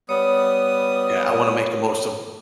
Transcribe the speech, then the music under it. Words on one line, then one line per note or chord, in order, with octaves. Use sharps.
yeah, I wanna make the most of
G3 B3 C#5 D#6